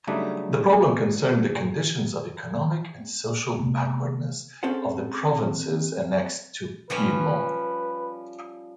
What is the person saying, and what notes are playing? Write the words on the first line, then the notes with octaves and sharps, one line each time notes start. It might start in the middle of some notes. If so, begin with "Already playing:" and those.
The problem concerned the condition of economic and social backwardness of the provinces annexed to Piedmont.
C#3 F#3 G3 A3 D4 D#4
C3 G#3 A#3 B3
C4 C#4 G#4 A4 C5 F#5
F3 G3 C#4 B4